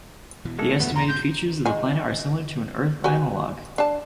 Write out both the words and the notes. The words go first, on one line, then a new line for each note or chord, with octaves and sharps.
The estimated features of the planet are similar to an Earth analog.
B2 E3
G#3 A#3 A4
E2 G2 A#2 A3 B3
A#5 C6
G#2 C3 G6
D#3 G#3 G#5
F#4 B4 G#5
D4 A5